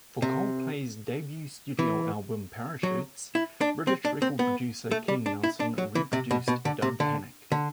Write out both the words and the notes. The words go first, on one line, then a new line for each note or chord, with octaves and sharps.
For Coldplay's debut studio album "Parachutes", British record producer Ken Nelson re-produced "Don't Panic".
C3
E3
F#3
E4
D4
C4
D4
C4
B3
A3
G3
D4
E4
D4
F#3
E3
C3
B2
B2
D3
C3
D3
D3